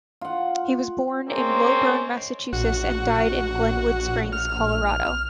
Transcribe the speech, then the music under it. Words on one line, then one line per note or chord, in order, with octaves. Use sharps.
He was born in Woburn, Massachusetts and died in Glenwood Springs, Colorado.
F4 F#5
G#3 A#3 C4 C#4
A#1 F#4
F6